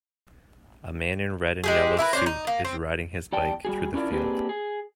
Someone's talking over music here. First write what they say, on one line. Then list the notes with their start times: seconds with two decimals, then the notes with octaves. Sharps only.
A man in red and yellow suit is riding his bike through the field.
1.64 G#3 G4 G#4
1.99 E4 A#4 B4
2.13 C#4 D4 C5
2.26 D#4
2.47 A#3
2.65 C4
3.32 E2 G3 D5 G5 A5
3.65 G3 F#4 G#4
3.94 C#4 D4 E4 F4 A#4 D5
4.12 A#3 C4 D4 G4 G#4 B4
4.49 G#4